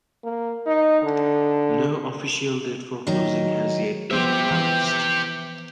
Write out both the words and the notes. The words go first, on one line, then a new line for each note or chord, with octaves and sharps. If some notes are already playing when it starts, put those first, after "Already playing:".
No official date for closing has yet been announced.
A#3
D#4
D3
D#3 F#3 D#4
F3 B3 G4 C5 E5
E3